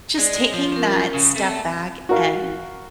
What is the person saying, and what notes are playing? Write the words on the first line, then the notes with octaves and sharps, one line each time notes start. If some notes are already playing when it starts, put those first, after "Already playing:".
just taking that step back and
G#3 D5
C#5
F3
C#4 A#4
C#3 C#4
A3 C4 A4
F#4 A#4 F5